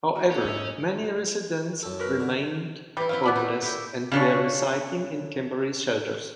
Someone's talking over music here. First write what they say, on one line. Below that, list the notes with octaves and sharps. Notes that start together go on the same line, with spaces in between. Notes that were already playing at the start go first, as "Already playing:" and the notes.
However, many residents remained homeless and were residing in temporary shelters.
A#3 F#4
D3 A#3 C#4
G#2 D#4 E5
F#2 A4
F#4 A#4 B4
D3
E3 G3 E4
F#3 C4 E4 F5
B3 D5 B5
A3 D#4
A#2 E4 G4
C#3 D4 C#5